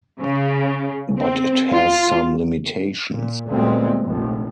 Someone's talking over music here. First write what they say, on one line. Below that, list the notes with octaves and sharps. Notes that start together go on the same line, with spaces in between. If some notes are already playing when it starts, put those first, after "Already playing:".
But it has some limitations.
C#3
C4
F4
A#2
D2 A#2 G3 G#3 B3 C4
F1 A#1